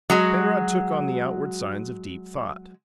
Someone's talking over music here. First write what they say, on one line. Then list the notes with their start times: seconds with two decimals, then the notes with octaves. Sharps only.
Penrod took on the outward signs of deep thought.
0.10 F#3 G#3 F#4